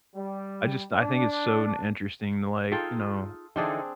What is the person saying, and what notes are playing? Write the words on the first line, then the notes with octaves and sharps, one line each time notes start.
I just I think it's so interesting to like, you know,
G3
D4
D#4 F4 G#4 A4 F5 G5
D3 E3 C4 D4 D#4 G#4